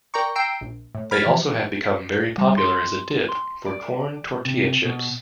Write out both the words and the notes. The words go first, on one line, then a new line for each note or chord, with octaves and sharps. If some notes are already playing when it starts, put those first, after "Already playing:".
They also have become very popular as a dip for corn tortilla chips.
A#4 D5 G5 A#5 C#6
G5 A#5 E6 C7 D7
A#1
A2
B5 F6 G#6 A6 B6
E3 F3
G3
C6
C6
D5
C3
B2